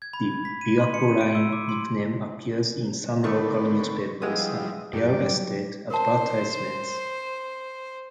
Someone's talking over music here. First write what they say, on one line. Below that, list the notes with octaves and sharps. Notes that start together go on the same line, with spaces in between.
The "Biwako Line" nickname appears in some local newspapers and real estate advertisements.
G#6
B5
G#6
B6
D#7
C6
C#7
D#7
D7
E6
D6
C6
D3 D#3 A3 B3 C4 C#6
F3 G3 G#3 B3 E4 D#6
G2 F#3 G3 G4 D5
A#4 C5 A5